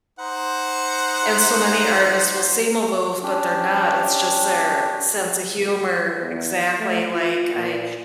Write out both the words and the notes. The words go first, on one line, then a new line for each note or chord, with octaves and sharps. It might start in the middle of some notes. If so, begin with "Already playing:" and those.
and, so many artists will seem aloof, but they're not, it's just their sense of humor exactly like I
D#4 C5 F#5
C#4 D4 G4
E2
A3
F4
A#2